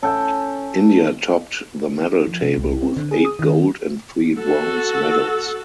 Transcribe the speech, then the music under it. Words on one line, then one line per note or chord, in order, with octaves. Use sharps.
India topped the medal table with eight gold and three bronze medals.
C#4 A4 G5
F3
C3
C2
C4
D3
G#4
D#6
D#3
F#4 A4